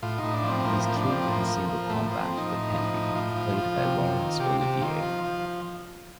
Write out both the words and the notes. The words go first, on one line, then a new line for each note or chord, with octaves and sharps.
He is killed in single combat with Henry, played by Laurence Olivier.
A2 F4
D#4
A2
D4
F3
C4
A2 A#3
C4
A#3
F3
D4
F3
C4
A2 A#3
F3
F3
A2 A3
A#3
F3
C4
F3
D#4
A2
F3
A2
A2 F4
F3
F3
C3
C3
D#3
C3 G4
C3 G4
D#3 F4
F3
F3